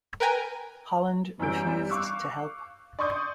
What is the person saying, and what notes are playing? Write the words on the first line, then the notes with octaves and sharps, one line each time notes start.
Holland refused to help.
A#4 B4 G5 G#5 A#5
F#2 E3 G3 E6 G6 D7
G3
F5 C#6 D6 E6 F#6
D5 C6 C#6 D#6 G6